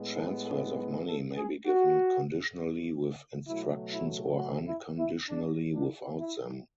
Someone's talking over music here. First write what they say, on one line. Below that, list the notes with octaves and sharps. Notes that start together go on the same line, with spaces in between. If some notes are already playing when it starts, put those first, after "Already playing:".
Transfers of money may be given conditionally with instructions or unconditionally without them.
Already playing: A2 G#3 B3
A4
A4
B4
A4
G#4
F#4
B2 F#3 A3 E4
E4
F#4
E4
E4
D4
D4
E4